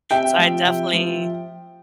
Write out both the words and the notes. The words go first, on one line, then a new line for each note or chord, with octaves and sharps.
So, I definitely
C3 E5 G5
F3
C3
F3